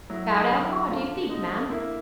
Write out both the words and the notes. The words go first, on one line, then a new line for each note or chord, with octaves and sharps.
"About 'ow far do you think, ma'm?"
F#3 E4
D#4
D3
E4
D3 F4
D3 D#4
A#3 E4